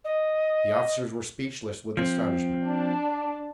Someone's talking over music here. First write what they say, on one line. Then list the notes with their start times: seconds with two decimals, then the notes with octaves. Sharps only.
The officers were speechless with astonishment.
0.04 D#5
1.97 F3 C4
2.65 D4